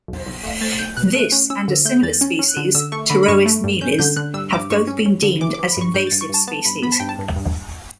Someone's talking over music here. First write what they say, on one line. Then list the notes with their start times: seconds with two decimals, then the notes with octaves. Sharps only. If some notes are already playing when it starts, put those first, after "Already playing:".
This and a similar species, "Pterois miles", have both been deemed as invasive species.
0.08 B1
0.26 B1
0.43 A3
0.61 A3 A6
0.79 B1 G6
0.97 B2 F#6
1.15 A3 F#6
1.32 C#4
1.50 C#4 E6
1.68 D3
1.85 A3 G6
2.03 E2 A6
2.21 C#4
2.39 C#4
2.48 F#6
2.57 D3
2.75 D3 E6
2.92 A3 C#6
3.10 D3 B5
3.23 B5
3.28 G2 C#6
3.46 A3
3.64 G2
3.81 C#4 G6
3.99 D3 G6
4.16 D3 F#6
4.34 G2 E6
4.52 G2 D6
4.70 G2 C#6
4.87 C#4
5.06 C#4
5.23 D3
5.41 E3 D6
5.54 D6
5.59 E3
5.68 B5
5.77 G2 C#6
5.94 G2 G6
6.07 A6
6.12 G2
6.21 C#6
6.29 G2 A5
6.47 B3 A5
6.65 G2 B5
6.82 B3 B5
6.92 A5
7.00 G2 G5
7.09 A5
7.18 G2
7.36 G2